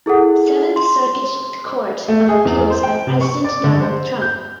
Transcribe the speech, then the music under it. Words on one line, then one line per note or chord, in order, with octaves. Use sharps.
Seventh Circuit Court of Appeals by President Donald Trump.
E4 G#4 A4 F#5
C6
A3
G#4
E2
C5
G5
C3
C#6
D5
D3
C5
G6